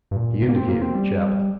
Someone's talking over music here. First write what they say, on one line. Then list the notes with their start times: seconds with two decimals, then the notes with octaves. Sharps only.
He indicated the chapel.
0.11 G2
0.16 A#2
0.42 C3
0.49 A#3
0.55 C4
0.68 A#3
0.82 C4
0.95 G3